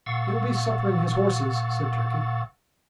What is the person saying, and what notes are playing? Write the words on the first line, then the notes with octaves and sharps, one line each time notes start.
"He'll be suppering his horses," said Turkey.
A#2 F5 F#5 C#6 E6 A6